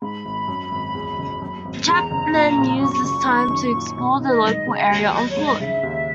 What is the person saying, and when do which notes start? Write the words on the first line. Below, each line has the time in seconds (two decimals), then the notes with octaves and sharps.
Chapman used this time to explore the local area on foot.
0.02 G#2 B5
0.25 G#1
0.48 F#2
0.72 G#1
0.95 E2
1.18 F#1
1.42 F#2
1.65 G#1
1.88 E2 A#5
2.11 F#1
2.34 A#2
2.58 A#1
2.81 F#2 C#6
3.04 F#1
3.28 D#3
3.50 F#2
3.74 A#2
3.97 B1
4.20 D#3 D#5
4.43 G#2
4.66 C#3
4.90 D#2
5.13 F#3 D#5
5.29 C#5
5.37 G#2
5.44 D#5
5.59 C#3 E5
5.83 D#2